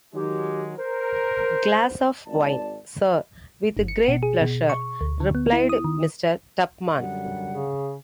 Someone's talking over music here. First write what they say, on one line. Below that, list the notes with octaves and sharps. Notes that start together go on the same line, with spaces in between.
Glass of wine, Sir!’ ‘With great pleasure,’ replied Mr. Tupman.
D#3 F#3 G#3 G4
A#4 C5
G#1 D5 A5
G1
C#7
B2
G#4
B2
C#6
D2
D3
B3
E4
D#6
D#3
F#2 D3 G3 F#5
C#3